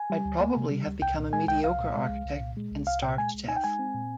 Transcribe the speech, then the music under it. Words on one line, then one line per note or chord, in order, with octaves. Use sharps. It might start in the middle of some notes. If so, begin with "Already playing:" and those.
I'd probably have become a mediocre architect and starved to death.
Already playing: G#5
G3
D2
A#3
C3
G3
D2
C2 G5
A#2
G#3 G#5
C2 G5
C2 F5
A#2
G#3
C2
C2
A#2
G#3
C2
C2 F5
A#2 G5
G#3 G#5
C2
D#4 G#5
G5
G#3 G#5
C4
A#2